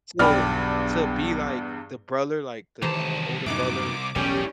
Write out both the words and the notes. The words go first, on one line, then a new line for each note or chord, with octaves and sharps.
to to be, like, the brother, like, the, uh, older brother
B1 E2 G2 D5 G5 B5 F6
C2 D#3 E3 G4 C5 A5 A#5
F#2 A2 E3 F#3 D#4 D6
E1 B1 A2 G3 C#4 G4